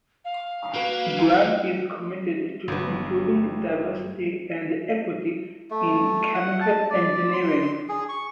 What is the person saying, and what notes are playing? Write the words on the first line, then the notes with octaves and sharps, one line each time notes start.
Grant is committed to improving diversity and equity in chemical engineering.
F5
A#3 F#4 B4
E2
G1 G2 F#3 G3 B3
A3
F#5
A5
D5
C6
G#4
C#6